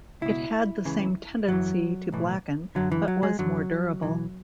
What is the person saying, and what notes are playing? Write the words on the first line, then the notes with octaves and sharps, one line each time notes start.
It had the same tendency to blacken, but was more durable.
C#2 B2 E4
C#2 C#3 E3
F#2 E3 F#3
B1 A2 E3
F#2 D3 F#3
E3
F#3
G#3
F#2 D3 F#3
B1 A2 E3